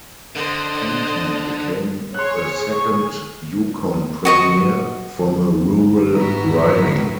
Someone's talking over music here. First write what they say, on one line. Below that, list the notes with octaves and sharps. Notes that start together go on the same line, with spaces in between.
Fentie became the second Yukon Premier from a rural riding.
D3 C5 D#5
G#4 C#5 C6 F#6
C#6
F#4 D#5 C#6
G#2 E3 G3 B3 E4 F#4 A#5